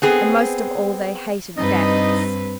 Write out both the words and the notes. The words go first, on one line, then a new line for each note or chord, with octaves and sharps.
And most of all they hated facts.
B3 C4 G#4
G2 C4 D#4 B4 D#5